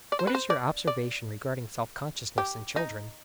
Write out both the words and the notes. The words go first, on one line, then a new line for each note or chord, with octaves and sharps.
What is your observation regarding self-consciousness in children?
D5
C5
B4
C5
D5
D5
G4
D#4